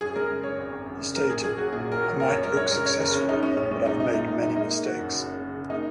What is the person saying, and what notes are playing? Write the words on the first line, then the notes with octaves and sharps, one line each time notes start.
He has stated: I might look successful but I've made many mistakes.
F#2 G#4
G#3 A#4
C#3
C#3 C#5
G#1
G#1
F#2
C#3
A#3 A#4
A#1 G#4
A#1 G#4
F#3 F#4
A#2 G#4
A#1 A#4
F#3
A#2 A#4
F#2 C#5
F#2 A#4
G#3 C#5
C#3 A#4
C#3 C#5
F#1 A#4
F#1 C#4
F#2 D#4
G#3 C#4
A#1 C#4
G#3 C#4
A#2 D#4
G#3 D#4
A#2 D#4
A#2 D#4
G#3 D#4
A#3 D#4
A#3
A#3 F#4
F#2
F#1
C#3
C#3
C#3
A#3 D#4